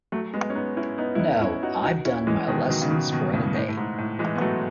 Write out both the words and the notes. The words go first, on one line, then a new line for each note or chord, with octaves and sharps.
No, I've done my lessons for the day.
F#3 A3
G#3 B3
C#4
B3 D#4
C#4 E4
B3 D#4
E4
B3 D#4
C#4 E4
D#4 F#4
D#4 F#4
C#4 E4
E3 G#3
B2 D#3
D#3 F#3
C#3
B2 D#3
B2 D#3
A2 C#3
A2
A2
G#2
A2
E3 G#3
B3
F#3 A3